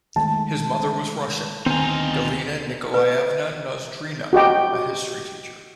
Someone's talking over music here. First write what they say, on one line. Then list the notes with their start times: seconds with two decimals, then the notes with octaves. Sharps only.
His mother was Russian, Galina Nikolaevna Nozdrina, a history teacher.
0.16 D#3 G#3 A3 A5
1.66 D2 D#3 B3 C4 D#4 F4 G#5
2.94 B4
4.33 F#4 G4 D#5 G5